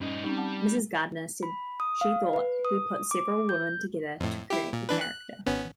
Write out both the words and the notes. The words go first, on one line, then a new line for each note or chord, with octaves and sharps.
Mrs. Gardner said she thought he put several women together to create the character.
G2 C#4 D#4
G3 C4 C#4 D#4
F#5 A5
B5
D#6
F5
B4
D#6
D6
G6
F2 A2
E4 G4
A#2
E3 D4 B4
F#6
G#1 B3 C#4